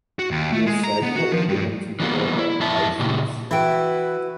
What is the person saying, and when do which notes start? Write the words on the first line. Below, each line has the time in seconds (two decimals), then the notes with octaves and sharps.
He is said to have been given to Europa by Zeus.
0.19 F#4
0.31 D#2
0.53 A3
0.66 G#3
0.83 A#5
1.03 B3
1.16 F#4
1.32 F3
1.49 G2
2.00 E3 G3 A#3 B3
2.38 E4
2.60 F2 E4 E5 A5
3.00 A#2 C#3 G4
3.51 E3 E4 F#4 B4 E5 G5